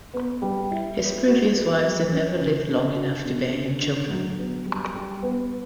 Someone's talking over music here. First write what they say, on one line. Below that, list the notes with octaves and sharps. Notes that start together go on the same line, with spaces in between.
His previous wives had never lived long enough to bear him children.
B3
G3
E4
B4
F#4
B4
F#3
C#4
C#3
D4
F#4
B2
D3
D3
F#3
B3
G3
G3
B3